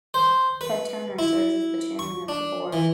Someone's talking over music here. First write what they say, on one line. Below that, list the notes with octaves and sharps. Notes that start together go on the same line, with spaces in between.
Ted Turner serves as the chairman of the board.
C5
B4
E4
C#6
D4
E3